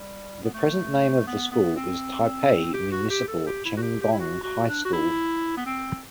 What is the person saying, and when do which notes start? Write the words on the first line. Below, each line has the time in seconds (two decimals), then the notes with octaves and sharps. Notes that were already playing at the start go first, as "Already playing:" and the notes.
The present name of the school is Taipei Municipal Chenggong High School.
Already playing: G3
0.43 B3
0.54 A3
1.27 B3
1.51 B3
1.76 C4
2.73 G4
2.91 F#4
3.10 G4
3.28 A4
3.46 G4
3.65 E4
3.77 F#4
3.82 G4
4.01 G4
4.13 E4
4.20 F#4
4.43 F#4
4.69 D4
4.85 F#4
4.93 E4
5.57 B3
5.66 C4